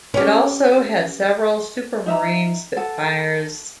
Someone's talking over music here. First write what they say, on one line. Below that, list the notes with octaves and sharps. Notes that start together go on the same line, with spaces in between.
It also had several Supermarine Spitfires.
C#4 G4
D#4 E5 A#5
A4 F#5